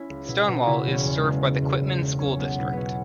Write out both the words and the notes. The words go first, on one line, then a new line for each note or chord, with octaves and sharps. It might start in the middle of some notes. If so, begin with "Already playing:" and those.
Stonewall is served by the Quitman School District.
Already playing: C#4 E4
C#2
B2 E4
B2
F#4
C#3 E4
E1
C#4
E2
G#3
E1
C#3
E1
E2
E1
B1 C#4
B1 B3
B2 E4
B2 B3 C#4